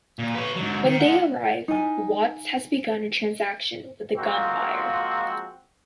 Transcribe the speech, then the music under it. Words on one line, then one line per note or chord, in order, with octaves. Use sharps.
When they arrive, Watts has begun a transaction with a gun buyer.
A#2
B4 C#5
G#2 F#3
D#3
A3 F#5
D#4 G#5
F3 G#3 A#3 C4 F4 F#4